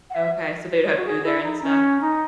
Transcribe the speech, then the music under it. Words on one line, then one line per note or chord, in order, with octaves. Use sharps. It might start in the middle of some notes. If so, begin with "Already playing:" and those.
Okay, so they'd have food there and stuff?
F#5
E5
C#5
F#4
G#4
E4
D#4
C#4
D#4